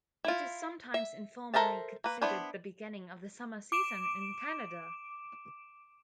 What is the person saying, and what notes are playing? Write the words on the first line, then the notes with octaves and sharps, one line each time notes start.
It is sometimes informally considered the beginning of the summer season in Canada.
E4 F4
E5
A4 A#4 C5 E5 A5
A#3 B4
B3 D4 E4 C5
D6 D7 E7